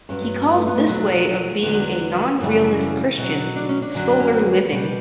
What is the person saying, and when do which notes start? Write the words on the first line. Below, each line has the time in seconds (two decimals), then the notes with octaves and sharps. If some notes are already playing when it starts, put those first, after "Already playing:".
He calls this way of being a non-realist Christian "solar living".
0.09 G2 F#3 C#4
0.22 B3
0.35 B3
0.48 B3
0.57 A3
0.68 B3
0.77 A3
0.86 E2 B2 F#3
1.63 E2 D3 F#3 B3
2.40 F#2 C#3 E3 G3
2.79 C#4
3.17 B2 F#3
3.56 D4
3.69 C#4
3.82 D4
3.94 F#2 D3 F#3
4.08 D4
4.20 C#4
4.32 B3
4.72 B2 G3